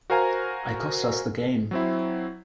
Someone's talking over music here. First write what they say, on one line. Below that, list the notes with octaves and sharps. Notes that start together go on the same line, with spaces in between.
I cost us the game.
F#4 A#4 C5 F5 G#5 A#5
F#3 C4 E4